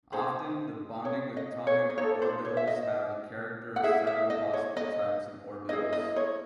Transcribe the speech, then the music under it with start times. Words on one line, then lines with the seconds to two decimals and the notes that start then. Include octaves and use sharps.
Often, the bonding atomic orbitals have a character of several possible types of orbitals.
0.12 D#4 G#4 C5
1.05 C#5
1.37 D#5
1.67 C#5
1.90 D#5
1.98 D#4 A4 C#5
2.22 C5
2.45 C#5
2.57 E5
2.67 D#5
3.76 F#5
3.83 E4 G#4 E5
4.07 E5
4.30 D#5
4.54 C#5
4.77 D#5
5.69 E4 G#4 D#5
5.93 D#5
6.16 C#5